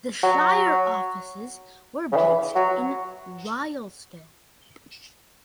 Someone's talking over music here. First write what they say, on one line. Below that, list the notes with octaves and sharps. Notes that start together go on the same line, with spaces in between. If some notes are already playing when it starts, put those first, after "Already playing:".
The shire offices were based in Rylstone.
F#3
C#3
E3
F#3